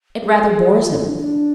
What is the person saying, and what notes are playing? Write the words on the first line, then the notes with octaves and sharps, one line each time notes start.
It rather bores him.
G#4
A4
G#4
F4
E4
D4
D4